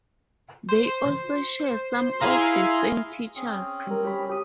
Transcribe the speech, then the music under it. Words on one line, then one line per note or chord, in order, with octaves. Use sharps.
They also share some of the same teachers.
C5
E4 G#4 F5 A#5 C6
C4 C#4 G#4
G3 A#4
G4 C#5 B5
G4 D#6